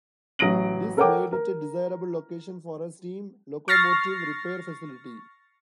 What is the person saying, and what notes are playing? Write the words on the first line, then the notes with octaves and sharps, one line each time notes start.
This made it a desirable location for a steam locomotive repair facility.
A1 F#3 D#6 A#6 D7 F#7
A4 A#4 C#5 F#5 G5 D6
A#4
C#6 F6 A6 A#6 C7